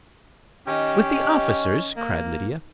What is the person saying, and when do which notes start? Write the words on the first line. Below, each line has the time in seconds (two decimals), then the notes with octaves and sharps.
"With the officers!" cried Lydia.
0.67 D#3 C#4 G4
1.97 A#3